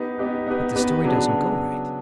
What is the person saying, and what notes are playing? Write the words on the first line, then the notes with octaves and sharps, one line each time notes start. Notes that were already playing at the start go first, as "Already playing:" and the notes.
But the story doesn't go right.
Already playing: B3 D#4 G4 B4
B3 D#4 G4 B4
B3 D#4 G4 B4
B3 D#4 G4 B4
C#3 F#3 B3 D4